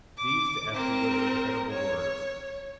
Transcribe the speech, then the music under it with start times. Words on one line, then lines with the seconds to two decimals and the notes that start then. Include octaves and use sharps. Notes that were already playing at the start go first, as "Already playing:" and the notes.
These to Ethne were the incredible words.
0.18 D6
0.74 C4 A#4
1.71 C#5